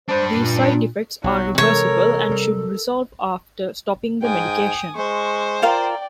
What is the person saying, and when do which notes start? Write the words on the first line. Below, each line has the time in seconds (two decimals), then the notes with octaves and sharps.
These side effects are reversible and should resolve after stopping the medication.
0.09 D4 B4 C5
0.33 A#2
1.24 B1 F#3
1.58 C3 E3 G#3 A4 A#4 C#5
2.29 C3 G3
4.23 G#2 G5 G#5 D#6
4.97 G#3 C5 C#6
5.62 F4 A#4 D5 F5 G5